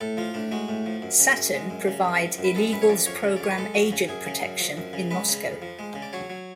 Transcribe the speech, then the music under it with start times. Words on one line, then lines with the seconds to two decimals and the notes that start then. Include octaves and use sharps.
Saturn provide illegals program agent protection in Moscow.
0.01 A2 A4
0.17 F3 F4
0.34 A2 D4
0.52 G#3 F#4
0.69 A2
0.86 F3
1.02 F#2
1.20 C#3
1.36 F#2
1.54 G#3
1.70 F#2
1.88 C#3
2.05 F#2
2.22 F3
2.38 F#2
2.44 B4
2.55 G#3 A4
2.73 F#2 B4
2.82 C#5
2.89 F3 D5
3.06 F2 C#5
3.24 C#3
3.36 D5
3.41 F2 C#5
3.51 B4
3.58 G#3 A4
3.74 F2 F#4
3.92 C#3
4.08 F#2 G#4
4.26 C#3
4.43 F#2
4.60 F3
4.77 F#2
4.93 C#3
5.11 G#3 B4
5.28 C#3
5.45 F2
5.62 F3
5.79 G#3
5.95 C#3
6.02 D5
6.13 F#3 C#5
6.30 F#3